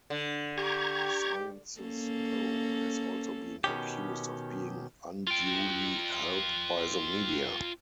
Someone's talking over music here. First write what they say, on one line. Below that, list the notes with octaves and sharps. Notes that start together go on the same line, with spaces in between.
Sciences Po has also been accused of being unduly helped by the media.
D3
G4 A#5 C#6 G#6
A#3 C#4 A4
B2 D#3 C#4 G4
F4 G5